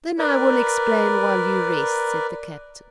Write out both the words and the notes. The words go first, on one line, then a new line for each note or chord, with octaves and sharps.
"Then I will explain while you rest," said the captain.
A#4 B4 D5